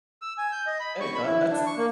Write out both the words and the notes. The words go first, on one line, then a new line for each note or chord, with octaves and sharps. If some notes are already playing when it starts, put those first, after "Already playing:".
A yeah, that's
E6
G#5
G6
D#5
B5
C#6
B5
E4
D4
C#6
A#3